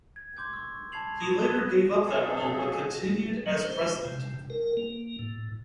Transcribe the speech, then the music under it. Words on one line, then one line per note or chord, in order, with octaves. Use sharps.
He later gave up that role but continued as President.
G#6
C6 D6 G6 G#6
C#6 E6
A5 B5 G#6 C7 F7 F#7
B5 C#6 D#6 A#6
A5 E6 F#6 G#6 E7 G7
B2 F3 F#3 G#4 A4
F#3
C5
C3
A#4
A#3
A2